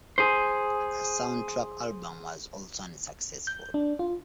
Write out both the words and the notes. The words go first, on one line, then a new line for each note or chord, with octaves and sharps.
A soundtrack album was also unsuccessful.
G#4 C5
G6
D4
F4